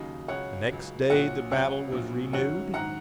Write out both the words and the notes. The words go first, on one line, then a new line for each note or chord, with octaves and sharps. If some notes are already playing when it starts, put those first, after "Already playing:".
The next day the battle was renewed.
Already playing: D#2 C#3 F#3 D#5
C#2 C#3 F#3 C#5 F#5
C#2 C#3 F#3
A#1 A#2 F#3 C#5 F#5
C#2 C#3 F#3 C#5 F#5
A#1 A#2 F#3
F#1 F#2 D#3 F#3 C#5 F#5
A#1 G#2 D#3 F#3 F#5 A#5